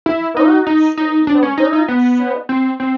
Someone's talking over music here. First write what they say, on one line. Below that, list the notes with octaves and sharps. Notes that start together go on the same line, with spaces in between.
Birds, eh, you know, birds, uh,
E4
D#4
D#4
D#4
D4
C#4
D#4
D#4
B3
C4
C4